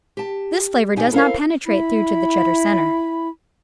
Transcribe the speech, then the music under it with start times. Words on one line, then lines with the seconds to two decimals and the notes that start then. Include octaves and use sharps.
This flavor does not penetrate through to the Cheddar center.
0.17 G4 A5
0.96 D#2 B2 D#4 G4 D5 G#5
1.12 E4 A4 A#4 C5 F5
1.65 E4 B5